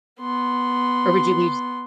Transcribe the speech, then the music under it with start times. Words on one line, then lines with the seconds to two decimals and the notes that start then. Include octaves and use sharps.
or would you be
0.20 B3 C6